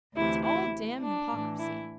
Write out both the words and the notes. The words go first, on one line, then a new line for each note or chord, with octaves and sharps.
It's all damned hypocrisy.
D2 C3 E3 E4
E4
D4
A2 E3
E4